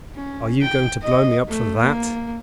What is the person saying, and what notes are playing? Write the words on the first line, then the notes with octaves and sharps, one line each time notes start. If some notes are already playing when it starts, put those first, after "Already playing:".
Are you going to blow me up for that?
C#4
G5
D#5
A3
A#3